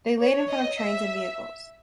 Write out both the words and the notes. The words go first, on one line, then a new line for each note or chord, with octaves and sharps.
They laid in front of trains and vehicles.
C#5
D#5
E5